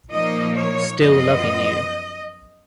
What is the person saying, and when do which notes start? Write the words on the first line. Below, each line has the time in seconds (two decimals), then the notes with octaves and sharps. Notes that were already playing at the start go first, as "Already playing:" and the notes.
Still loving you.
0.11 A#2 F3 A#3 D#4 D#5
0.57 C#5
1.00 F#2 F3 B3 F4 D#5